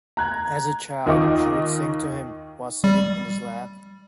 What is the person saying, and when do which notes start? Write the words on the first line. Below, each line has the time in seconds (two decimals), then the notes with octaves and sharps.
As a child, she would sing to him while sitting in his lap.
0.17 A#5 F#6 G#6
1.06 D#2 D#3 F4 D#5 C#6 D6
2.84 G3